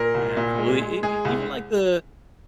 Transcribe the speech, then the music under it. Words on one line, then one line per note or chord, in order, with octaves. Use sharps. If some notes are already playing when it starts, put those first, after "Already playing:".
Absolutely, e e even like the
Already playing: A#2 A#4
C2
A#2
G#3
G#3
G#3 G#4
C2